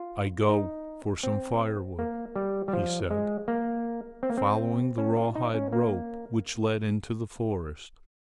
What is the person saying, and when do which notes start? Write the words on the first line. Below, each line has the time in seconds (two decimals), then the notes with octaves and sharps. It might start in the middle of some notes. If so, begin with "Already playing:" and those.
"I go for some fire-wood!" he said, following the rawhide rope which led into the forest.
Already playing: F4
0.49 D#4
1.23 C4
1.99 A#3
2.36 G3
2.68 G3
2.73 F3
3.11 G#3
3.48 A#3
4.23 C4
4.30 A#3
4.37 C4
4.98 C#4
5.17 F4
5.35 D#4
5.54 C#4
5.73 A#3